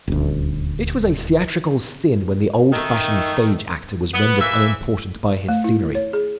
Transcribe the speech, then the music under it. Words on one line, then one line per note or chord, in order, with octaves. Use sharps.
It was a theatrical sin when the old-fashioned stage actor was rendered unimportant by his scenery.
D#1 D2
D#3 A3
B3
E3 A#3 B4 E5
A3
E4
C#5
G#4